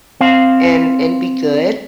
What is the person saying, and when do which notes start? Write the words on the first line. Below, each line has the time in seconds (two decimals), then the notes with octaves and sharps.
and and be good.
0.21 C4 F5